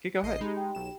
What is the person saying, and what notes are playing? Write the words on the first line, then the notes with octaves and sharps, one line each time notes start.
kay, go ahead.
A1 D#5 C7
G#3 D#4 G4 B5
G5
B1 E7